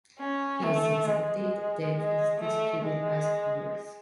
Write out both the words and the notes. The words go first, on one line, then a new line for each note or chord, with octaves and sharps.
His exact day of death is disputed by scholars.
C#4
A3
G#3
G#3
A3
G#3